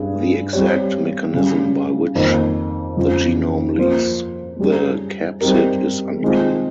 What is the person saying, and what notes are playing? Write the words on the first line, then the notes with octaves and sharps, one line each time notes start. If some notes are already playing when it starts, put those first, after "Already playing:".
The exact mechanism by which the genome leaves the capsid is unclear.
Already playing: G2 G3 C#4 G#4
G3 C4 G4 C#5
C#3 G3 C#4
F2 D#3 A#3
F2 C#3 F3
F3 A#3 F4 C5
G3 C#4 G#4
G3 C4 D#4 G4 A#4
D#3 G#3 C4 F4